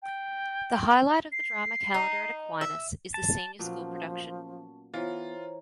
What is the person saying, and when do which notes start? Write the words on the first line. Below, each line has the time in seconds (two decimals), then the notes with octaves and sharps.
The highlight of the Drama calendar at Aquinas is the senior school production.
0.02 G5
1.32 C7
1.94 D#4
2.61 E5
3.14 A5
3.59 A#2 F3 F#3 B3 C#4 A5
4.94 E3 B3 F4 C5 C#5 A#5